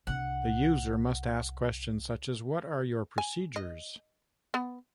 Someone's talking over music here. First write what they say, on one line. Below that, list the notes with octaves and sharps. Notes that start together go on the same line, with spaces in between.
The user must ask questions such as, What are your procedures?
C2 D4 F#5
G#5
D#5
B3